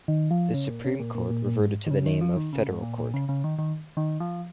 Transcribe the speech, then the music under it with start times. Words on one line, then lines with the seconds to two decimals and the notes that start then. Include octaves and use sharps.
The Supreme Court reverted to the name of Federal Court.
0.08 D#3
0.31 F3
0.54 C#3
0.70 A#2
0.84 C#3
1.00 A#2
1.15 A#2
1.30 A#2
1.46 A#2
1.60 G#2
1.87 D#3
1.91 C#3
2.06 D#3
2.21 F3
2.37 D#3
2.53 C#3
2.68 G#2
2.82 A#2
2.98 A#2
3.14 C#3
3.29 C#3
3.44 D#3
3.59 D#3
3.97 D#3
4.20 F3